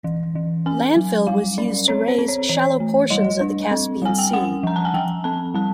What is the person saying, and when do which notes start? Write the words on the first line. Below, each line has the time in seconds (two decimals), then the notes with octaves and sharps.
Landfill was used to raise shallow portions of the Caspian Sea.
0.04 E3
0.35 E3
0.66 C#4 G#5
0.96 F#3
1.27 G3 F5
1.58 C#4 D5
1.88 C4 C#5
2.08 C5
2.18 C4
2.28 C#5
2.49 E3 C#5
2.80 A3
3.10 G3 D#5
3.41 D4
3.71 C4
4.02 G3 G#5
4.18 G5
4.33 C#4 F#5
4.63 F3 A#5
4.76 A5
4.85 G#5
4.94 F3 G5
5.24 C4 A5
5.54 G3 A5